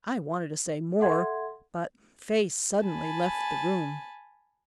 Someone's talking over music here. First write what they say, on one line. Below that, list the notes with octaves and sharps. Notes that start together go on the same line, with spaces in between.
I wanted to say more, but Faye suddenly left the room.
A4 E5 F#5 C6 G#6
G#5 A5 B5